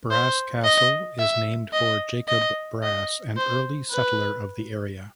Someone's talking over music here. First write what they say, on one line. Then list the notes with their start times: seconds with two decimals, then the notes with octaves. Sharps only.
Brass Castle is named for Jacob Brass, an early settler of the area.
0.11 C5
0.65 D#5
1.19 E5
1.73 D#5
2.28 D#5
2.83 D#5
3.37 C5
3.91 B4